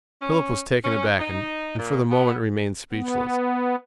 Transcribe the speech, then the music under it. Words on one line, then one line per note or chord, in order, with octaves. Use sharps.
Philip was taken aback and for the moment remained speechless.
C#4
C#4
D#4
A#2
B3
B3